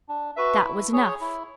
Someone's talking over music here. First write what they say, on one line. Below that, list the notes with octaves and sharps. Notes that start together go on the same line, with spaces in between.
That was enough.
D4
F#4 B4 E5
E4
G#4 C#5
E4